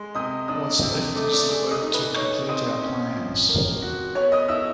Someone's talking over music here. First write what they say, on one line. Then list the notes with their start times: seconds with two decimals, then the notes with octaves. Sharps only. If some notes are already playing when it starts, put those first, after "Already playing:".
What's left is the work to complete our plans.
Already playing: G#3
0.15 C3 D#5 D#6
0.48 D4 D#5 D#6
0.83 C3
1.15 A3 D6
1.23 D#6
1.32 D5 D6
1.49 G#4 D5 D6
1.71 D#5 D#6
1.82 D#4
1.93 B4 B5
2.15 D#4 C#5 C#6
2.48 C4 D#5 D#6
2.82 C#4
3.15 F3
3.49 A#3
3.82 F#4
4.15 B3 C#5 C#6
4.32 D#5 D#6
4.49 E4 E5 E6